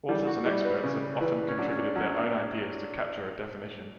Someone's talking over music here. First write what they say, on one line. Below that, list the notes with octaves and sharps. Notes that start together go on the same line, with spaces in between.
Authors and experts have often contributed their own ideas to capture a definition.
E3 G3
F#4
G3 E4
B4
C#3
E3 B4
C#4
F#3 D4
C#4
D4
F#3 C#4
D4